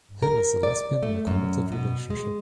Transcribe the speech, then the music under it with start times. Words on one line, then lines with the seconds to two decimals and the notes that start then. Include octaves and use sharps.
Hill is a lesbian in a committed relationship.
0.23 A#4
0.63 D5
1.03 A3
1.27 F#2
1.72 B2
2.10 G#3